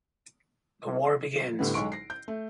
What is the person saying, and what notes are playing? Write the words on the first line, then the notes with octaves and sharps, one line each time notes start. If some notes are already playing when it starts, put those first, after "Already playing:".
The war begins.
A2 D3 G3 B3
B1 G#3 C#6 D7
A#6 C7
G6
A3